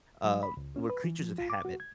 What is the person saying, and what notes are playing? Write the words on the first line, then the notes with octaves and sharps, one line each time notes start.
uh, we're creatures of habit,
F#3
B5
C#2
C#4
B4
E3
F3
F4
D6
F#4
G#6